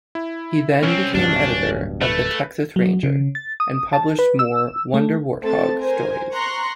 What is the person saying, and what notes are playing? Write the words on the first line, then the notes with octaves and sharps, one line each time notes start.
He then became editor of "The Texas Ranger" and published more "Wonder Wart-Hog" stories.
E4
C2 C4 C#4
D1 G2 B2 D4
A3 B4
F#3
C#3
A6
D#6
A5
B4
E6
A3
A3 C4 A4 A5 A6
A#4 C5 G#5
A#5 C6 C#6 F#6